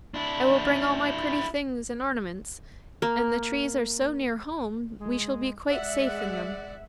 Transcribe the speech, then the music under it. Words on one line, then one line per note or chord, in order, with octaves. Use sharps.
I will bring all my pretty things and ornaments, and the trees are so near home we shall be quite safe in them.'
D4 E4
A#3
G#3
G#3 D5 E5 F#5